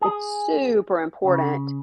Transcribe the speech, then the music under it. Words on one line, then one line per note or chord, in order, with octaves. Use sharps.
it's super important
G#4
C#3